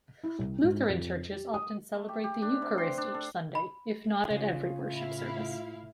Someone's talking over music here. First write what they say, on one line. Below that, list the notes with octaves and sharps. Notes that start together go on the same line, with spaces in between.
Lutheran churches often celebrate the Eucharist each Sunday, if not at every worship service.
E4
C2
G#2
F2
G4
D#6
A3
G4
G4
D4
C3
C6
D4
A4
B5
C#3 F4
A2 E4 F5